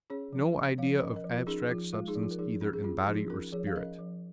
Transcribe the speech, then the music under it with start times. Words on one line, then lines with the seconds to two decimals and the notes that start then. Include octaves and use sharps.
No Idea of abstract Substance either in Body or Spirit.
0.10 C#4 G#4 C#5
0.33 F3
0.55 C#4
0.78 F3 C#5 F5
1.01 C#4 A#4 D#5
1.16 A#4 D#5
1.24 F3
1.32 F4 A#4
1.47 C#4 D#4 G#4
1.69 F3 F4
1.93 G#3 F4
2.08 D#4 G#4
2.15 F3
2.23 F4
2.31 A#4
2.38 F3 D#4 G#4
2.61 C#4
2.73 G#4
2.84 C#4 F4
3.07 F3 D#4 G#4
3.30 C#4 F4 A#4
3.52 F3 G#4 C#5
3.67 F5
3.76 C#4 A#4 D#5
3.99 F3